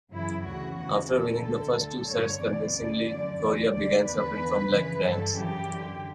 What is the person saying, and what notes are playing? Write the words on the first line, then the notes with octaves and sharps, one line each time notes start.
After winning the first two sets convincingly, Coria began suffering from leg cramps.
F#2 C#3 E3 E4
D2 C#3 E3 F#4
E2 C#3 E3 F#4
E2 D3 A4
D2 D3 A4
D2 D3
G2 D3 C#5
E2 B2 D5
D2 C#3 E3 D5
F#2 D3 D5
E2 D3 D5
D2 D3 D5
E2 D3 B4
E2 D3
F#2 C#3 E3
G2 D3 A4
F#2 C#3 E3 G4
F#2 D3